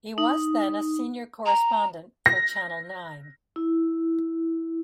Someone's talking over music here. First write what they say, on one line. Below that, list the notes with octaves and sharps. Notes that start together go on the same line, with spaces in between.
He was then a senior correspondent for Channel Nine.
D#4
A#5
A#6
E4